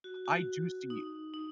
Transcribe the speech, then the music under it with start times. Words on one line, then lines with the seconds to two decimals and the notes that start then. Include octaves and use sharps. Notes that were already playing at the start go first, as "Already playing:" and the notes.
I do see
0.04 F#4
0.25 F#4
0.90 D#4
1.34 D#4